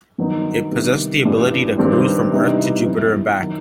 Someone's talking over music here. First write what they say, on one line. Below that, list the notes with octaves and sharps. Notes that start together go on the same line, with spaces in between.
It possesses the ability to cruise from Earth to Jupiter and back.
G2 D#3 F#3 B3 D#4
C3 D#3 G3 B3
A1 G2 E3 G3
G2 D#3 G3 C4
C3 E3 G3 B3 D#4
F#2 F#3 B3 E4
D#3 F#3